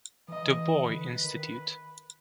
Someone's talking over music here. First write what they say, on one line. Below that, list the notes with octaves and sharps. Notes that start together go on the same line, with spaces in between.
Du Bois Institute.
E3 D#5
D3 B4
D#3